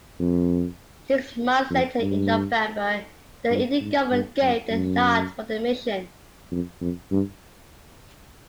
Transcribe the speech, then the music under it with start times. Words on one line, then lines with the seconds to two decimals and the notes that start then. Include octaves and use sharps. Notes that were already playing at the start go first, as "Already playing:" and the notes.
Six months later, in November, the Indian government gave the nod for the mission.
0.20 F2
1.70 F2
2.00 G2
3.50 G2
3.80 G#2
4.11 G2
4.42 F#2
4.70 F#2
6.52 F2
6.81 F2
7.12 G2